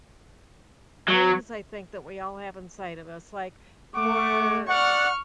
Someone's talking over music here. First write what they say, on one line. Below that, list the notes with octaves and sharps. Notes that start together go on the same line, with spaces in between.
dreams I think that we all have inside of us, like more
F#3
A3 F#5 C#6 D6
D5 F#5 C#6 F6